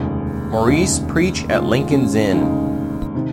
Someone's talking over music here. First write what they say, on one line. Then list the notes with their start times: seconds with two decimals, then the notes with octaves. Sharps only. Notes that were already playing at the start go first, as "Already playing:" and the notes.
Maurice preach at Lincoln's Inn.
Already playing: F1 D#2 C#3 G#3
0.67 F1 D#2 C#3 G#3
1.50 F1 D#2 C#3 G#3 F4
1.91 C#4
2.32 F1 D#2 C#3 G#3 D#4
3.15 C3 D#3